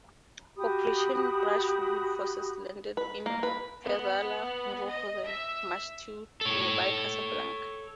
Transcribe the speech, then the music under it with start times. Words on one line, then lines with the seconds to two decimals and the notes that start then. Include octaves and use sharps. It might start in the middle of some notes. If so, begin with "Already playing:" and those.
Operation Brushwood forces landed in Fedhala, Morocco, then marched to nearby Casablanca.
0.57 F#4 G4 B5 D#6
2.97 B4
3.26 A#3
3.43 B4
3.82 B3
4.88 D#5
5.28 E5
6.41 A4 C#5